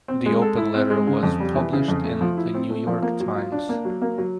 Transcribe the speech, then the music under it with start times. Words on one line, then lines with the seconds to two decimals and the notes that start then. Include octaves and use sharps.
The Open Letter was published in The New York Times.
0.08 C4
0.26 G#3
0.42 A4
0.57 E4
0.74 C4
0.90 G#3
1.07 C#3
1.23 F2
1.40 G3
1.55 E3
1.73 C#3
1.88 F2
2.04 A3
2.21 F3
2.37 E4
2.55 C4
2.70 A3
2.87 F3
3.02 A#3
3.20 F#3
3.35 F4
3.52 D4
3.69 A#3
3.85 F#3
4.02 A#3
4.18 F#3